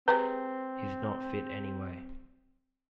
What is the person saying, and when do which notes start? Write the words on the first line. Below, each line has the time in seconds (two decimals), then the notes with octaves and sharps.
He's not fit anyway.
0.08 G#3 C4 G4 B4 A#5